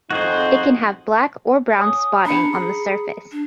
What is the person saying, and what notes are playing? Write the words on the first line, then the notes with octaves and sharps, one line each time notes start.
It can have black or brown spotting on the surface.
F2 D#4 F#4 G#4 C5
C#5 G#5 D#6
D4 A#5 B5 C#7
G#4
D4